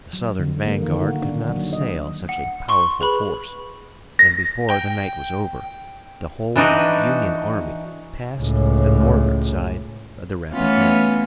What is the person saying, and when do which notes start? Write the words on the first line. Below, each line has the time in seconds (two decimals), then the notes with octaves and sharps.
The Southern vanguard could not assail such a powerful force, and before the night was over the whole Union army passed to the Northern side of the Rappahannock.
0.13 F#3
0.39 D3
0.67 A#3
0.83 D#3
1.01 F#4
1.22 D4
1.49 F#3
1.73 D#5
2.29 F#5
2.69 C6 C#6
3.01 G#4 B4 B5
4.19 A#6
4.70 G5
6.56 E3 D4 D#4 F#4
8.38 C#2 A2
10.52 E3 A3 B3 C#4 E4 F4